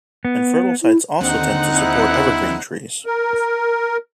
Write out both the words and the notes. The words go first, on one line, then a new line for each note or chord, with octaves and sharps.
Infertile sites also tend to support evergreen trees.
B3
E4
D#2 D3 C4 D#4 F#5 F#6
E4
A#4